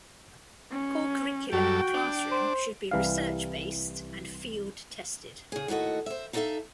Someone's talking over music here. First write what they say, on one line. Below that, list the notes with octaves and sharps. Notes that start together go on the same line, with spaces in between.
Core curriculum in the classroom should be research-based and field tested.
C#4
F#2 G3 F#4 A4 G5
D4
C5
C2 E3 G3 F5
C#3 G#4
D#2 A2 F#4 A4 D#5
C5 E5
D#4 E4 A4 D5 E5 F5